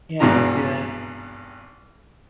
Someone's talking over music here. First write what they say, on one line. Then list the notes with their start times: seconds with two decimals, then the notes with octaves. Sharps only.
Yeah, I can see that.
0.20 G#1 G2 B2 E3 A#5